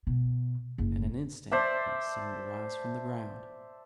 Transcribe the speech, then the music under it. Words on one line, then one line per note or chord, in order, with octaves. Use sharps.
In an instant I seemed to rise from the ground.
B2
F#1
C5 D5 E5 A5